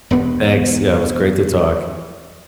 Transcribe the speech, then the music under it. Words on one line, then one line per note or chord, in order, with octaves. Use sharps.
thanks. Yeah, it was great to talk.
E1 G2 B3